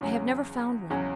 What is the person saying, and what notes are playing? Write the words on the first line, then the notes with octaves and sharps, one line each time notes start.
I have never found one.
E2 C#3 F#3 C#4
E2 C#3 F#3 C#4